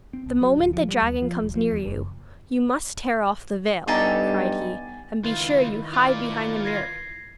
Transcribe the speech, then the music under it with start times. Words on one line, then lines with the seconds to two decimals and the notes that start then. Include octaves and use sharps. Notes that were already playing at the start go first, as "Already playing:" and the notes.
'The moment the dragon comes near you, you must tear off the veil,' cried he; 'and be sure you hide behind the mirror.
0.13 C4
0.26 C2
0.41 F#3
0.58 D1
0.73 F3
0.89 G3
1.02 D#2
1.22 F3
1.42 D#1
1.55 F3
1.72 E2
1.85 F#1
3.88 G2 B3 D#4 G4 A4 G#5 A6
5.24 C#2 D#3 E4 F4 B4
5.93 F4 D5
6.65 G#6 A#6 C7